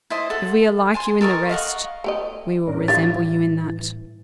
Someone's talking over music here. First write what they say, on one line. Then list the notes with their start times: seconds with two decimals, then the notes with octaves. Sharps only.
If we are like you in the rest, we will resemble you in that.
0.10 E4 C5 D#5 A5
0.30 A4 F#5
0.94 G#5 A5 C6
1.21 A4 A#4 D#5 C#6
1.49 D#5 F5 F#5 C#6
2.04 A3 G4 D#5
2.67 A2 G3 C#4 D4 A#4
2.88 E3 G4 E5 F5 A6